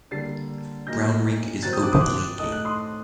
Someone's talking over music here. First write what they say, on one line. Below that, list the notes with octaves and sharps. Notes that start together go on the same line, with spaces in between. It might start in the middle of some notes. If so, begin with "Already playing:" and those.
Brownrigg is openly gay.
D3 G3 A#3 A6 C7
A#2 F#3 A#3 D#4 G6 A#6
D#3 F#3 C4 F#4 C5 F#6 A6
D#6 G6
D6 F#6
C6 D#6
D6 F#6
A2 A3 D#4 A4 D#5 D#6
F#6
C6 D#6